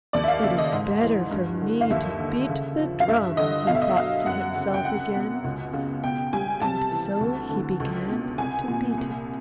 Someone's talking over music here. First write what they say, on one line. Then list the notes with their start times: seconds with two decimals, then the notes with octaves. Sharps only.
'It is better for me to beat the drum,' he thought to himself again, and so he began to beat it.
0.13 D#2 D5
0.24 E5
0.28 F5
0.43 C#3 E5
0.58 D#5
0.73 G#2
1.02 E3
1.31 G2
1.61 D3
1.81 F5
1.90 D#2 E5
2.20 D3
2.49 C#3
2.79 F3
3.00 F5
3.08 G2 E5
3.37 D3 D#5
3.67 B2 F5
3.75 E5
3.82 D#5
3.89 E5
3.96 F#3 F5
4.26 F#2 F#5
4.56 C#3
4.74 G5
4.85 C2 F#5
5.15 B2
5.44 C#2
5.73 C#3
6.03 B2 G5
6.33 G3 G#5
6.62 C3 A5
6.91 E3
7.21 D2
7.50 D3
7.80 C#2
8.09 B2
8.38 C2 G#5
8.68 A#2
8.98 C2